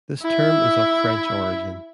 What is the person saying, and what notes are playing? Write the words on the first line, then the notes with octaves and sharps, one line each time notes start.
The term is of French origin.
E4 E5